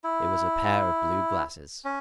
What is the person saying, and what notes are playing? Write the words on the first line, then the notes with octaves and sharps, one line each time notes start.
It was a pair of blue glasses!
E4
C#4